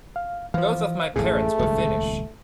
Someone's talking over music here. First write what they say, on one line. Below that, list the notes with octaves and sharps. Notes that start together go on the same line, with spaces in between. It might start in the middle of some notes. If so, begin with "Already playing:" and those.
Both of my parents were Finnish.
F5
E3 F3 C5 F5
A1 F#2 A2 A3 G#4
D#1 C#2